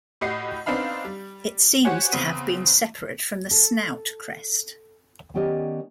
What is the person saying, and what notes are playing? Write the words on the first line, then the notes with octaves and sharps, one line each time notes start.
It seems to have been separate from the snout crest.
A2 F#4 G4 D#5 C7
B3 C4 D4 D#4 F5 B5
G3
F#4 G4 C5 C#5 F#5 G#5
E2 C#3 C4 B6 D#7
A4
D#3 B3 C#4 G4 D5 D#5